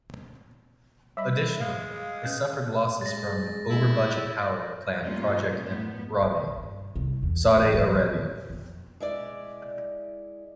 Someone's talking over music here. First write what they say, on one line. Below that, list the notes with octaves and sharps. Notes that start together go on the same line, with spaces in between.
Additionally, it suffered losses from an over-budget power plant project in Rabigh, Saudi Arabia.
G3 D#5 E5 B5
G#3 F5
C#4 B4
G#3 A6 A#6
E4
G3 A3 A#3 C#4 F4
A2 B3
B1
G2
C2
E2
E3
F3
A#2
F2
G#3 E4 D5